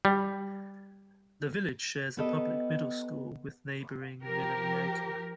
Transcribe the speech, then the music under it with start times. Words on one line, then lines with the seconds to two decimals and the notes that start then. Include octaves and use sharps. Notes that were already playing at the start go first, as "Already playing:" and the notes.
The village shares a public middle school with neighboring Minamiaika.
0.05 G3
2.17 B3 G4 A4 B4 D#5
4.23 F3 G4 A#4